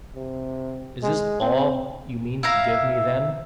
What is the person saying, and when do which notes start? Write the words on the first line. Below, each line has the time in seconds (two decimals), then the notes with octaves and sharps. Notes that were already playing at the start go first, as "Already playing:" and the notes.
'Is this all you mean to give me, then?'
0.15 C3
1.03 G#3
1.42 C4
2.43 E4 E5 F5 A#5